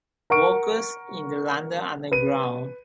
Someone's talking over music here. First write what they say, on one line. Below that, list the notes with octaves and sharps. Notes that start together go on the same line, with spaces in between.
Workers in the London Underground.
A#4 F#5 C#6 D7
B4 D#7